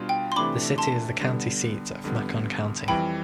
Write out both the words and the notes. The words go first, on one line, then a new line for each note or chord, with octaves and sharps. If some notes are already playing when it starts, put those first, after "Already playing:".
The city is the county seat of Macon County.
Already playing: B2 G3 D4 F4
G5
C6
C3 E3 A3 D4 B5 D6
A5 C6
D3 G3 B3
F2 D3 G3 B3
F2 E3 G3 G5 B5